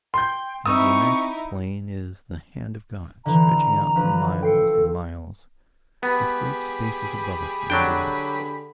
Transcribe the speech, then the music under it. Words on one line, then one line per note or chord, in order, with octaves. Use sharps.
And the immense plain is the hand of God, stretching out for miles and miles, with great spaces above it and below it.
G5 C6 G6
C4 D#4 E4 C#6 D#6 E6
D3 E3 A#5
F3 D4 B4
A4 G5 C7 C#7
B3 G4 G#4 B5
D3 F#3 D4 G5